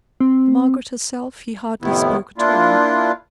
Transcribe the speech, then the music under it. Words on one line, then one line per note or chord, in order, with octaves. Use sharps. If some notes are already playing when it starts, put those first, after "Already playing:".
To Margaret herself he hardly spoke at all.
C4
F2 A2 C3 D#3 B3 E4
A#3 D4 E4 F4